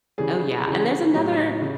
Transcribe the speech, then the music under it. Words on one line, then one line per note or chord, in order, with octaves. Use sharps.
Oh yeah, and there's another,
C#3 E3 G3 G#4
C#3 E3 G3
A2 F#3 G4
C#3